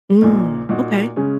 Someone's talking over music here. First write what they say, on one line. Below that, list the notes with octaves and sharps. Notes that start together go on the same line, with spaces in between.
Mm. Okay.
A#1 A#2 A#3 D#4
A#2 A#3 D#4 F#4
C#3 G#3 C#4